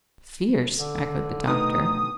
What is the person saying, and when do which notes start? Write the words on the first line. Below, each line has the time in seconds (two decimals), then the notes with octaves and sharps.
"Fierce!" echoed the doctor.
0.79 D3
1.47 B2 D3 D#3 A3 D#4 D#6